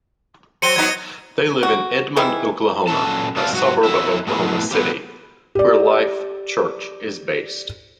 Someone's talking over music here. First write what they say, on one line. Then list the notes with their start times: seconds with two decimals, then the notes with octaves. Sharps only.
They live in Edmond, Oklahoma, a suburb of Oklahoma City, where Life.Church is based.
0.62 F#3 C4 C#7 D#7 G7
0.76 F#3 B3 D#4 G#6
1.63 F#4
2.17 D#3 E3 G#3 E4
2.87 A#2 F#3 C#4 A4 A5
3.36 C3 E3 F#3 D5 F5 A5
3.52 G#2 F#3 F#4
3.83 F2 F#3 E4 E5
4.27 A2 F3 G#3 B3 E4 G#4
4.71 F#3 B3 C4 G4
5.55 G4 D5